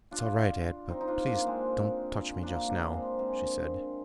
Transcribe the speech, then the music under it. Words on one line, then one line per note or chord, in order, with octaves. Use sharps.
"It's all right, Ed, but please don't touch me just now," she said.
D4 F4
C4 D#4
D#4
D4 F4
A#3 D4
G#3 C4
A#3 D4
A#3 D4
G#3 C4
G#3 C4